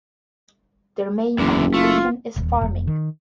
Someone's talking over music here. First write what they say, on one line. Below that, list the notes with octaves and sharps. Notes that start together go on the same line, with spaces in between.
Their main occupation is farming.
F#1 E2 D3
A3 F4
D#1
F1
D#3